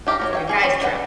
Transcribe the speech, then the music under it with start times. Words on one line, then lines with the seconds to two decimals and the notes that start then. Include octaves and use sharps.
It's like a guys' trip.
0.07 D4 G4 E5 F5 A#5
0.20 F#3 C#4 A#4
0.33 C#5 F5 G5
0.48 G3 G#4
0.64 C#4
0.82 D4 B4 F#5 G5